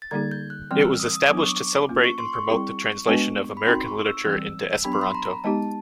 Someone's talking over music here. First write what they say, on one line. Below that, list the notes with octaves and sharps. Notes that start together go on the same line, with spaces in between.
It was established to celebrate and promote the translation of American literature into Esperanto.
A6
D3 G3 A#3 D#4 G#4 G#6
G6
F#6
E3 G3 C4 F6
E6
D#6
D#6
F#3 B3 D4 D6
C#6
D6
A#3 C#4 F4
C#6
C6
C#6
G3 C4 E4 G#4
G#3 B3 D4 F#4 B4
B5
C4 D#4 F#4 C6
C#6
E6
E3 G3 C4 E6
F#3 B3 D4 G4 B5
C6
B5
A#5
G#3 B3 D#4 G4 A5